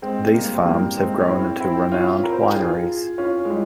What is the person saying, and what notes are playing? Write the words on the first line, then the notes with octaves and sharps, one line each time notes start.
These farms have grown into renowned wineries.
G#3 C4
G3 A#3
C4
G3 A#3
G#3 C4
C#4
C4 E4
C4 E4
C#4 F4
A#4
C5
G4 A#4
F4 G#4
C#4 F4
G#3
G3